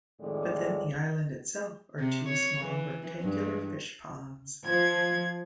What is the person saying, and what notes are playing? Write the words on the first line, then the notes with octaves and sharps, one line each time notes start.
Within the island itself are two small rectangular fishponds.
F2 A2 D#3 G#3 D5
C3
C#5
E3
G2
F3 G#6